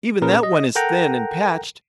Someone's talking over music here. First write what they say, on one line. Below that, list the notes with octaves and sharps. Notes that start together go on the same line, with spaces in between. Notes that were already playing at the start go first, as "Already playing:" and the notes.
Even that one is thin and patched.
A#2 C#4 G#4 A#4 B4
D#5
A4 A#4 F#5 G5 A#5